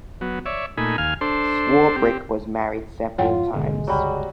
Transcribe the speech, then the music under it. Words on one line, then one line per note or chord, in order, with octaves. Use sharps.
Swarbrick was married several times.
F#3 B3
C#5 D5 E5
A#2 A3 D#4 G#5 B5
D#2 F5 G#5 F6
D4 A4 C5 C6
C4 G4
G#1 F2 G#2 F4 C#5 F#5 G5
G#1 B2 D3 G#3
C#2 G2 F#3 G3